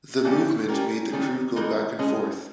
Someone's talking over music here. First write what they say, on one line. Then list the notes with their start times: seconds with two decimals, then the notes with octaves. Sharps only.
The movement made the crew go back and forth.
0.25 E3 G3 A#3 C#4 G4
0.68 G3 C#4 G4 A#4
1.12 D#3 G3 C#4 G#4
1.56 E3 G#3 D#4 A#4
1.99 G#3 C#4 G#4